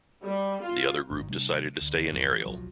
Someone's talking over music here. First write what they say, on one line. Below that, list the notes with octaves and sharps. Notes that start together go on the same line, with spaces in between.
The other group decided to stay in Ariel.
G3
F4
G#1 G2 D#3
C3 G3 A#3 D4
D2
G1 E2 D#3 F3
E3
D1 B1 F3 F#3